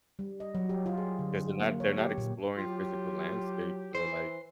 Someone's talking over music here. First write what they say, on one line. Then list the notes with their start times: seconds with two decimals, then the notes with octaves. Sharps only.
'cause they're not they're not exploring physical landscapes or, like,
0.19 G3
0.40 D#5
0.55 F#3
0.69 G4
0.86 F4
0.98 G#4
1.19 D3
1.60 A#3
1.80 C#5
1.98 G4
2.18 A#2
2.57 F#3 F4 G4
3.95 E3 C5